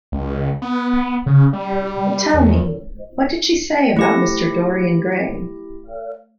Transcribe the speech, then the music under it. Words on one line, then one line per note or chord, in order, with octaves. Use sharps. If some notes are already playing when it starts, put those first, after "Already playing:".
But tell me, what did she say about Mr. Dorian Gray?
C#2
B3
C#3
G3
E2
A3 E4 G4 C5 A#6